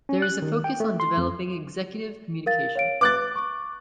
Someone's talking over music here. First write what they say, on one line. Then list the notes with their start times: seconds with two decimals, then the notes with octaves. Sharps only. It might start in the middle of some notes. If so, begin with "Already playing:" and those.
There is a focus on developing executive communication.
0.09 C#4
0.22 F#6
0.42 D#3
0.64 G5
0.80 A3
1.00 C6
1.17 F2
2.46 A#4 F5 A6
2.75 C#5 F5 D7
3.01 B4 D6 F#6 A6
3.36 C#6